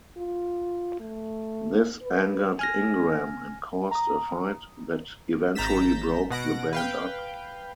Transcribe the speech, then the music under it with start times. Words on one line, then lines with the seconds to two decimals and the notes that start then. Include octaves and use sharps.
This angered Ingram, and caused a fight that eventually broke the band up.
0.17 F4
1.00 A3
2.02 B4
2.59 G#5 F6 A#6
3.91 A#5 D#6
5.55 G#1 A#5 G6 A6 B6 E7
6.30 B2 F#5 A#6 D7
6.73 B4 F5 G5